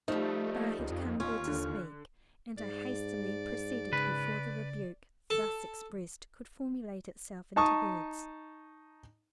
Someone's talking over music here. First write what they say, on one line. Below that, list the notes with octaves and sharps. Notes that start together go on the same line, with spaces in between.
But I had come there to speak, and I hastily proceeded before the rebuke thus expressed could formulate itself into words.
F3 G3 A3 D#4
C#2
F2
D#2 C#4 F4
D3
G#2 D5
C#3 B4
A4
D#4 A5 C#6 D#6